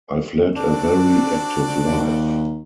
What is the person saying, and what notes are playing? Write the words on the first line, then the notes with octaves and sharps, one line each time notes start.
I've led a very active life.
C4 D4 F#4 D5
D#2